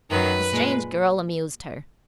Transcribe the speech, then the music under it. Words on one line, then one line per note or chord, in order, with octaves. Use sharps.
The strange girl amused her.
F#2 D#3 F#3 B4
A#2 G#3